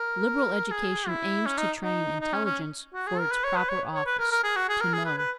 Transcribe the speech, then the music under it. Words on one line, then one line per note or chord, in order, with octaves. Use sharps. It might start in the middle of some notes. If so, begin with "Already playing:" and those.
Liberal education aims to train intelligence for its proper office: to know.
Already playing: A#4
G#4
E4
C#4
D#4
D#4
D#4
C#4
C#4
F#4
G#4
A#4
B4
C#5
B4
C#5
C#5
B4
A#4
A#4
G#4
F#4
G#4
A#4
G#4
B4
B4